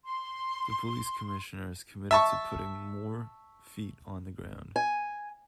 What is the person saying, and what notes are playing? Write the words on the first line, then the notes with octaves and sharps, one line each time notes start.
The police commissioner has committed to putting more feet on the ground.
C6
E5 A5 C#6
G#5